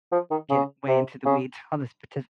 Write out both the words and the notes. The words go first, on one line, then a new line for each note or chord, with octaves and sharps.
get way into the weeds on the spetif
F3
D#3
C#3
C3
C#3